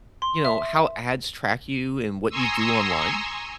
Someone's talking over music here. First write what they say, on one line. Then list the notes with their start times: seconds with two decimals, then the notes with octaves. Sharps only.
you know, how ads track you and what you do online?
0.22 C6
0.45 E5
2.29 G#5 A#5 C6 C#6 D#6 E6